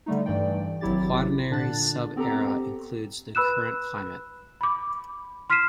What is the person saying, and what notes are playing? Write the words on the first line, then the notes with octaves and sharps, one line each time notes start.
The Quaternary sub-era includes the current climate.
D3 G3 A3 D#4
G2 E3 D5 G5
G#1 F#3 E4 G4 A6
A#2 D3 D4 F#6 A6
B3 C4 G4 A4 A#5
B4 B5 E6 F#6 E7
B5 D6
C6 F6 B6 C7 D#7 E7